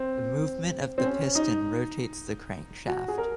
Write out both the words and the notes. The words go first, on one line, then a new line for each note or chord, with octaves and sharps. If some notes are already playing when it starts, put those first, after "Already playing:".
The movement of the piston rotates the crank shaft.
Already playing: C4
C4
C#4
D#4
F#4
G#4
A#4